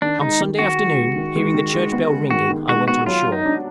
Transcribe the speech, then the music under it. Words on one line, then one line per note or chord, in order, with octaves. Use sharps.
On Sunday afternoon, hearing the church bell ringing I went on shore.
D#3 D4
G#3 D#4
D#3
D#3 F#4
G#3
G#3
D#3
G#3
D#3
G#3
B3
G#3
D#3 F#4
D#3
G#3 F#4
B3 F#4
F#3 F4
F#3
D#4
D4